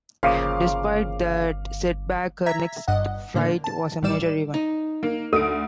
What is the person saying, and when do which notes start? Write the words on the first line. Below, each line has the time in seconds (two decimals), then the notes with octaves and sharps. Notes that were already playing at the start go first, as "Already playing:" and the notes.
Despite that setback, her next fight was a major event.
0.23 G1 A#2 C#3 F3 F5 D6
2.46 E5 A#5 G#6 B6
2.88 G1 G2 D#5 F#5
3.35 A2 D3 A#3 D4
3.64 A5
4.02 A#1 A2 E3 G3 D5 E7
4.54 D#4
5.03 A#3
5.33 D2 A4 D#6 D7